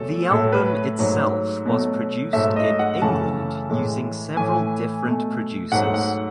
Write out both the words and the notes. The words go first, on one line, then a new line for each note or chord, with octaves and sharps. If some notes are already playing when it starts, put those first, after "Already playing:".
The album itself was produced in England using several different producers.
Already playing: E2 B2 F#3 A3 A4
A2 F#3 A3 A4
B4
G#2 F#3 A3
B2 F#3 A3
G#2 F#3 A3 E5
D#5
F#5
F#2 C#3 E3 A3 A5
A2 E3 G#3
A2 E3 A3 G#5
B2 A3
G#2 F#3 A3 F#5
F#5